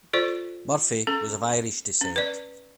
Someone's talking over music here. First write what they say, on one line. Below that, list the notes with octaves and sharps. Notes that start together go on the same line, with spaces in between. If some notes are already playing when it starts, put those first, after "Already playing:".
Murphy was of Irish descent.
F4 A4 C5 D5
C#4 A4
C#4
B4 D5